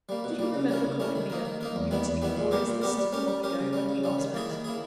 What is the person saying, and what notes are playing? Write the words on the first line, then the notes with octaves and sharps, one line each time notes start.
Do you remember calling me a 'mute, inglorious Liston,' long ago, when we last met?
G3 A#3
B2
G3 A#3
C#3
G3 C#4 E4 A#4
C#3
G3 C#4 E4 A#4
D#3
A#3 D#4 A#4
D#3
A#3 D#4 A#4
E2
D#3 G3 B3 E4
E2
D#3 G3 B3 E4
A#2
G3 B3 G4 A#4
A#2
G3 B3 G4 A#4
G3
C#4 G4 A#4
G3
C#4 G4 A#4
C#3
G3 C#4
C#3
G3 C#4
D#3
A#3 E4 G#4
D#3
A#3 E4 G#4